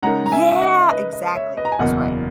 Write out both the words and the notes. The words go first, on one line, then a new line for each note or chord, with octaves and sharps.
Yeah, exactly that's right.
C#3 G#3 D#4 A#4 F#5 A#5
A#5
E5 G#5
E5
D#5 F#5
E5
B4 D#5
B4 D#5
C#5 E5
B4 D#5
A#5
G#5
F#1 E2 B2 A#3 D#5 F#5